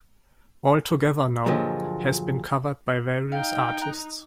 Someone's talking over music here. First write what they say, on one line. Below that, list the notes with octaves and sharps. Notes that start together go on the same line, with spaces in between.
"All Together Now" has been covered by various artists.
G2 A#2 D3 F3 F#3 G#3
D#4 F5 G5
A#5 F#6